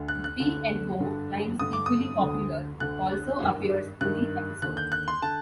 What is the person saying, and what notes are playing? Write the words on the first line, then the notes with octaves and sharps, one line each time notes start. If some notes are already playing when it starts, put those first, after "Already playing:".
P and O Line's equally popular also appears in the episode.
Already playing: D2 D3
F#6
F#6
D2 D3
G2 D3
G2 D3 D#6
D6
D#6
D2 D3
D2 D3 F#6
G2 D#3
G2 D#3 F#6
D#2 D3 F#6
G6
F#6
C6
D3 A5